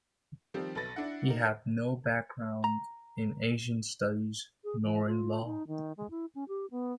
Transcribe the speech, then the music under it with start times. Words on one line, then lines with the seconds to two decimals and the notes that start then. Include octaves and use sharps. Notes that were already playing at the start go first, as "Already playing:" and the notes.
He had no background in Asian studies nor in law.
0.54 D#3 F3 G3 C4
0.75 B1 A4 B4 A6 A#6
0.96 D4 E4 F#5
1.28 D#4 A#4
2.64 A#5
4.64 G#4
4.82 E3
5.06 F4
5.44 D#4
5.67 D#3
5.97 G#3
6.10 E4
6.35 C#4
6.48 G4
6.71 B3